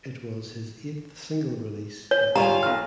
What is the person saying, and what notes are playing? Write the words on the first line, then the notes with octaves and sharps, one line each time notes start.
It was his eighth single release with the label.
C#5
G3 F4 C#5 F5 G#5 A#5
B1 F6